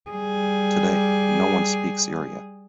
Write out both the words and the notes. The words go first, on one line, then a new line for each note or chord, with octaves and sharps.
Today, no one speaks Irraya.
G3 G#4